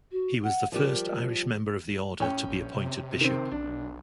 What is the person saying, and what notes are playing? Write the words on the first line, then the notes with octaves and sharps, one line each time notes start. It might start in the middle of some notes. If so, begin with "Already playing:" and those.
He was the first Irish member of the order to be appointed Bishop.
F#4
F#5
F3 G3 G4 A#4
A2 C#4 C#5 G5
A#1
C3
D#3 C4
B1 D4